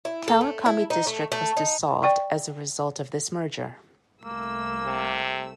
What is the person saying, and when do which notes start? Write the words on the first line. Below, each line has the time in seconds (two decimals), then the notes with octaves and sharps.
Kawakami District was dissolved as a result of this merger.
0.05 E4
0.28 A4
0.41 A3
0.66 E4
0.90 D#4
1.07 A3
1.32 A3
1.57 D#4
2.03 D5 G5 C#6
4.24 C2 A3 A#3 E6
4.86 C3